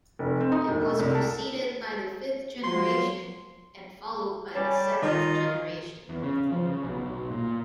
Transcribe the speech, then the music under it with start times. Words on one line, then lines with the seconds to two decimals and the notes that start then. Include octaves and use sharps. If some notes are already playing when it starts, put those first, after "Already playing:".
It was preceded by the Fifth Generation, and followed by the Seventh Generation.
0.19 F1
0.40 C4
0.52 D#4
0.68 E1
0.86 A3
0.99 C2
1.15 A5
2.64 F3 F#3 C6
4.55 G3 C#5 G#5 A5
5.02 D#3 D#4 F4
6.09 E2
6.23 C#3
6.52 F3
6.68 C#3
6.84 B1
7.06 B1
7.31 A#2